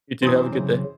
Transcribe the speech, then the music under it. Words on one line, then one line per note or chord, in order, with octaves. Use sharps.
You too, have a good day.
F#2 C3 E3 C5 D#6
C#3 F#3